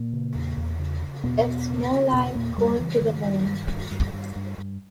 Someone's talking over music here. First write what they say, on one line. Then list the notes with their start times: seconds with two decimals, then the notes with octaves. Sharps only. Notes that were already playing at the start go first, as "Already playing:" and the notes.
It's more like going to the moon!
Already playing: A#2 A#3
0.13 C#3
0.35 E2
0.57 E2
0.79 C#3
1.02 C#3
1.24 E2 B2 B3
1.46 E2
1.68 C#3
1.90 C#3
2.13 E2 B2 B3
2.35 E2 A#2 A#3
2.57 G2 C#3 G3
2.79 C#3 E3
3.01 G2 D#3
3.24 G2
3.46 G2
3.69 G2
3.91 G2
4.13 G2
4.36 G2
4.58 G2